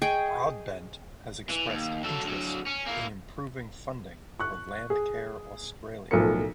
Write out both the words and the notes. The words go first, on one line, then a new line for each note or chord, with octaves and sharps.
Broadbent has expressed interest in improving funding for Landcare Australia.
G#4 D#5 G5 C#6
E3
D#2
F#3 A4
D2 F#3
C#4
A#3 E4
C#6 F#6
G#4
B1 A2 F3 F4 A#4 C#7